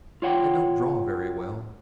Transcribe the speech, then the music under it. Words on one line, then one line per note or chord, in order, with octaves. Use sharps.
"I don't draw very well."
F4 C#5 F#5 G5